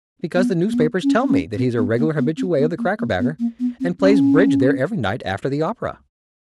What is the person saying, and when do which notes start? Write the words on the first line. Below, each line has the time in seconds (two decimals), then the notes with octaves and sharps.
Because the newspapers tell me that he is a regular habitue of the Crackerbaker and plays bridge there every night after the opera.
0.35 B3
0.69 A#3
0.75 B3
1.03 C#4
1.21 C4
1.29 C#4
1.56 C4
1.77 B3
1.97 A#3
2.18 B3
2.37 C4
2.58 B3
2.78 A#3
2.99 A#3
3.19 B3
3.39 A#3
3.59 B3
3.80 C4
4.00 C#4